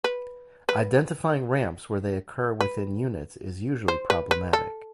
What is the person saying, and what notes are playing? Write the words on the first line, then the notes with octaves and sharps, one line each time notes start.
Identifying ramps where they occur within units is usually problematic.
B4
B4
B4
C5
B4
B4
A4